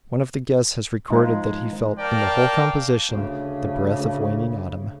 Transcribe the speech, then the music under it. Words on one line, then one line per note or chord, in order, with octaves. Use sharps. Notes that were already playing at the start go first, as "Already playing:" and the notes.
One of the guests has recorded that he felt in the whole composition the breath of waning autumn.
F3 G#3 D#4
A#4 D5 F5 G5 A5
D2 C#3